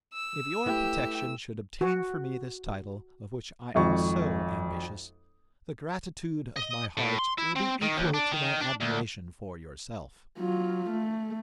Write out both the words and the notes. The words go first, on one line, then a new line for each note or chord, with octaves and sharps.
If your protection should obtain for me this title, of which I am so ambitious, the gratitude of my heart will be equal to my admiration for yourself.
E6
A3 E4 G4 B4
F#4
G#1 F2 C#6
D#5
A2
C6
E4
C4
D#3
D#2
D4
D#3
D4
D2
F#3 F4
A3